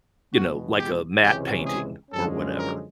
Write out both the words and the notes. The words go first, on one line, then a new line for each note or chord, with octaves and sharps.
you know, like a matte painting or whatever,
E2 B2 G#3 F#4
G4
C#2 C3 E3 G#3 C#4 G4
G#4
F#2 D3 F3 G#3 C#4 A4
A#4